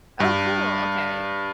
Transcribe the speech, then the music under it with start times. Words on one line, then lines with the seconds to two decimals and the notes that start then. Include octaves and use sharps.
Oh, cool, okay.
0.20 G2